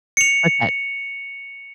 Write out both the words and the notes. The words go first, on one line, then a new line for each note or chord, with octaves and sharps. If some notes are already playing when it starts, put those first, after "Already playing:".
What's that?
C#7 F7